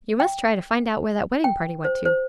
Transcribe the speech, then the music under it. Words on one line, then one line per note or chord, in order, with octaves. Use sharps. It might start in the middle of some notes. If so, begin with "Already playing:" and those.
"You must try to find out where that wedding-party went to."
G5
G5
C5
C5